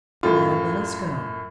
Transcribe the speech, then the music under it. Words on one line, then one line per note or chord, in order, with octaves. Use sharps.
Now let us go.'
F#2 A2 F4